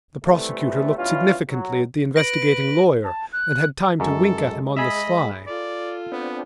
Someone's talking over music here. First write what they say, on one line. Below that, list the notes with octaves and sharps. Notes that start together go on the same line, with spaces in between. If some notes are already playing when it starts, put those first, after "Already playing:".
The prosecutor looked significantly at the investigating lawyer, and had time to wink at him on the sly.
C3 E3 G3 A3
G2 B2 E3 G3 C#4 F4
F#3
B4 A#6 D7 F#7
A5
F#6
F#2 G#3 A4
G#4 D#5 E5 B5
F4 A4 D5
B3 C4 D4